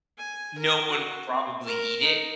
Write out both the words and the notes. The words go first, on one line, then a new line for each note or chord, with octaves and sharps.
no one would probably eat it.
G#5
A#4
F#4
C4
A#4
D#4